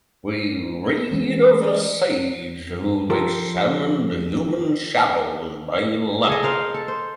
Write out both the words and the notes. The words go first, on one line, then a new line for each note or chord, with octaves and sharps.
We read of a sage who examined human shadows by lamplight.
E3 G#3 C#4
G3 A#4 D#5
F3 F4 G4 A4 A#4 C5
G#4 A4 D#5
A#4 C5 F5
A4
C5